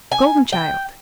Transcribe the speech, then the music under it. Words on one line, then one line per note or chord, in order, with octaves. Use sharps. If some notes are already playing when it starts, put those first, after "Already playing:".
Golden child.
G#5
G5